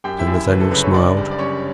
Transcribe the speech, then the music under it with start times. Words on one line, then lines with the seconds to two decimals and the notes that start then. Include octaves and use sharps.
Sir Nathaniel smiled.
0.04 F#2 G4 G5
0.19 E4 E5
0.27 F#2
0.34 E4 E5
0.49 G1 B4
0.61 A4
0.71 C#3 B4
0.83 C#4 C#5
0.94 F#1 D4 D5
1.17 G3
1.31 D5
1.39 G3 C#4 C#5